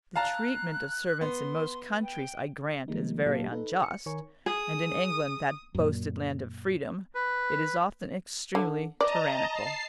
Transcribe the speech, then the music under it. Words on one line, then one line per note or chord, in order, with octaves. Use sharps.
The treatment of servants in most countries, I grant, is very unjust, and in England, that boasted land of freedom, it is often extremely tyrannical.
F5 A5 A#5 F#6
B3 C6
G5
D#3 F3 G3 G#3 A#3 D#4
A#2 F#3 A#3 G4 F5 A5
D#4 A4 B4
C#7
D#3 A#4 C#5 G#5 C#6
G#4 D#6
F#2 A#2
B4
D3
D5 D#5 A5 A#5
A5 C7